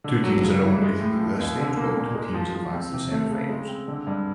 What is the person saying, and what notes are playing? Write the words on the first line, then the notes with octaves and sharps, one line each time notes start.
Two teams are eliminated at this stage, while two teams advance to the semi-finals.
D3
F#3
C#3
E3
G#3
A2
F3
D#2
D3
A#3
A#2
G#3
F3
F3
C4
C3
A3
C#3
G#3
C4
D3
G2